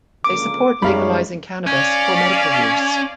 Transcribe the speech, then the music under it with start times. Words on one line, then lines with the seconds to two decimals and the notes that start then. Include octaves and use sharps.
They support legalising cannabis for medical use.
0.24 C#2 D3 A#3 D6
0.82 F#2 G3 G#3 D#4 C#5 F5 B5
1.67 C#4 D5 F5